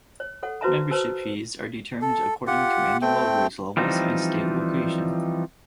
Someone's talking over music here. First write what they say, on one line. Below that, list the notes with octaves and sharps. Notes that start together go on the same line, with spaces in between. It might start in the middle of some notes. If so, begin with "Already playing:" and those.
Membership fees are determined according to annual wage levels and state location.
C#5
A4 C#5 F#5
F#4 B4 C5 E5 A5 A#5
B4 C5 A5 E6
A4
F4 G4 F#5
A3 C4 G5
E3 F3 G3 C4 D#4